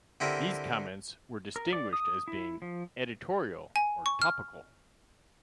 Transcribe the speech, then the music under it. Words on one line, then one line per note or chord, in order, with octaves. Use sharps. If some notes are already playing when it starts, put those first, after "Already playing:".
These comments were distinguished as being "editorial" or "topical".
D3 C4 E4 G4 A#4
A#4
D5
D#6
E4
F3
G#5
C#6
F6